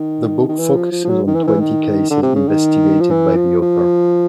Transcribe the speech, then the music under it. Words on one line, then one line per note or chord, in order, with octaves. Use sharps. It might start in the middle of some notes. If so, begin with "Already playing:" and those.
The book focuses on twenty cases investigated by the author.
Already playing: D#3
D#3
E3
F3
F3
F3
F#3
D#3
E3
D#3
E3
D#3
D3
C3
C#3
D#3
F3
E3
F3
F3